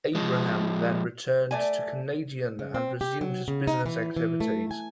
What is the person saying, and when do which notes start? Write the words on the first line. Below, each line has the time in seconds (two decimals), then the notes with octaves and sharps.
Abraham then returned to Canadian and resumed his business activities.
0.15 F3 G#3
1.51 A3 D5 G#5
2.59 C#3
2.74 C4
3.01 G4
3.21 F#3
3.48 C#3
3.67 D#4
3.86 E3
4.17 E3
4.41 A3
4.71 G#5